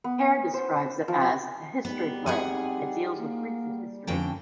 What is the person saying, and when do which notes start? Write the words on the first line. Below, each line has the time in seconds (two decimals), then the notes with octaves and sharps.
Hare describes it as "a history play" that deals with recent history.
0.04 B3
0.54 C5
1.08 F3
1.85 G3 G#3 B3 D#4
2.26 C4 G#4 F#5 G#5
3.18 A#3
3.64 G3
4.07 F2 D3 C#4 G5